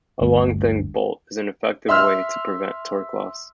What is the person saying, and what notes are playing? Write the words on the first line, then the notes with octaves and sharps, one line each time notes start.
A long thin bolt is an effective way to prevent torque loss.
G1 D2
E5 C6 E6 F6